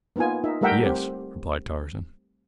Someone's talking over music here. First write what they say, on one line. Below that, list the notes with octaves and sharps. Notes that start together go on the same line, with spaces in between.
"Yes," replied Tarzan.
A#3 B3 D#4 F4 G#5
D#4 F4 A#4 E5
G3 A3 A#4 E5 F#5 G5
C4 G4